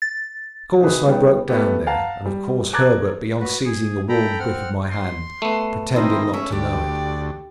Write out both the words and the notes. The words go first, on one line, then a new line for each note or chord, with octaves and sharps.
Of course I broke down there: and of course Herbert, beyond seizing a warm grip of my hand, pretended not to know it.
A6
C3 D#4 F#4 G#4 B4
G3 B3 D#4 G5
A3 B3 G4
F5 F#5 A5 A#5
G3
A5 A#5 D6 F#6 G#6 A6
F#4 B4
G#4
A4 G5 A#5 B5
C4 F#5 F6
C6
A3 B3
D#3 C4 E4 D#5
C#4 G#4 A#4 E5
D2 G4 D5